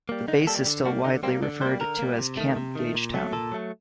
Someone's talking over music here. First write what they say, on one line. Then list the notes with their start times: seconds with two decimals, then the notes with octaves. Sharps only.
The base is still widely referred to as Camp Gagetown.
0.09 G3 A#3
0.28 D3 D#4
0.47 G3 A#3 A4
0.66 D3
0.85 G3 A#3 F#4
1.04 D3 D#4
1.23 G3 A#3 C4
1.43 D3 D4
1.61 G3 C5
1.66 A#3
1.80 D3 A#4
1.99 G3 A#3
2.18 C3
2.37 D#3 A3
2.56 C3
2.75 D#3 A3
2.95 A#2
3.14 F#3 A3
3.33 A#2 A4
3.52 F#3 A3